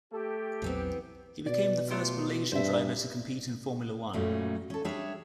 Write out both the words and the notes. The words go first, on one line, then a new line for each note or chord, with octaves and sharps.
He became the first Malaysian driver to compete in Formula One.
A3 G4 A4
A#1 E2 E3 F#3 B3 C4
B2 D5
A3 F4 G4
G2 C5 E5
F#2 A#2 F#3 G3 A3 C#4
C#4 A4
G3 D4 G#4 C#5 E5